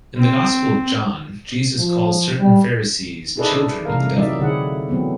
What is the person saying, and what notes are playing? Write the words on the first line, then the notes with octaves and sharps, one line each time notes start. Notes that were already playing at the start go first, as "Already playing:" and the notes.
In the Gospel of John, Jesus calls certain Pharisees "children of the devil".
C4
F3
G3
D#4 E4 G#4 A4 B4 D5
C3 E3 A3 A#4 F5
E3 F#3 D#4 D5 E5
D3 C4 E4 G#4 F#5
E3 F#3 A3 B3 C4